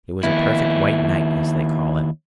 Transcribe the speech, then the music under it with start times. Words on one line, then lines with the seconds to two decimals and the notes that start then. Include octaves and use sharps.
It was a perfect white night, as they call it.
0.23 D#2 E4